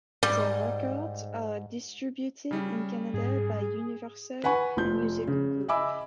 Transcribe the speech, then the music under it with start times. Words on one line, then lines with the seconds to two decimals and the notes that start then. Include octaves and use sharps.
Their records are distributed in Canada by Universal Music Group.
0.23 G#2 G3
2.51 C#3 G3
3.14 G#2 G#4
4.44 B4 F#5 G#5 B5 C#6
4.77 F1 F3 G6
5.27 C#3
5.68 D#5 E5 G#5 B5 D6 E6